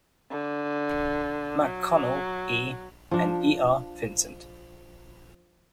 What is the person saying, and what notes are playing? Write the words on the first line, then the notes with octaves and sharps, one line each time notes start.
MacConnell, E., and E. R. Vincent.
D3
F#3
F3 D4